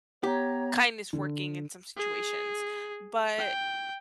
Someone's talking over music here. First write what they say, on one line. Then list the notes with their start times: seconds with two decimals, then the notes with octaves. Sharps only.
kindness working in some situations, but
0.23 B3 G4 C#5 A#5
1.13 D3
1.97 G#4
3.39 G5